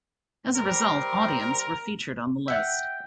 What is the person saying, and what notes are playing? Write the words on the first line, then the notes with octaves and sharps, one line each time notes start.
As a result, "Audience" were featured on the list.
G3 C4 A#4
E5 F#5 G5